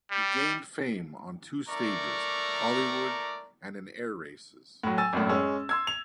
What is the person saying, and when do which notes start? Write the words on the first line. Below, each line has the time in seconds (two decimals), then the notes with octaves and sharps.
He gained fame on two stages: Hollywood and in air races.
0.11 G3
1.68 A3 E4 A#4 D5 A#5 C#6
4.83 A2 F#3
4.98 G#5 E6 A6
5.13 G#1 F#2 A2
5.29 G#3 C#4 E6
5.69 C6 E6 G#6
5.87 F7